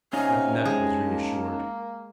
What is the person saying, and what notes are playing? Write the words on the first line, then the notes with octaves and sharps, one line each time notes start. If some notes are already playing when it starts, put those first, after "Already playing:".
McNutt was reassured.
C3 C#4 D#4 F5 G#5
G#3 A5
A#3